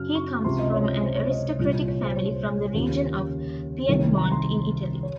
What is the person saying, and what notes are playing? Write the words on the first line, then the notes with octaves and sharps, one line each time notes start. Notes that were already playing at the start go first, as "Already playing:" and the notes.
He comes from an aristocratic family from the region of Piedmont in Italy.
Already playing: F#2 C#3 F#3 F6
C#6
C#2 C3 F3 C6
D#5
C#5
C5
C#5
D#5
C2 A#2 F3
C#5
C5
C#5
C5
C#5
D#2 C#3 F3
C2 C3 D#3
A#5
C6
C#5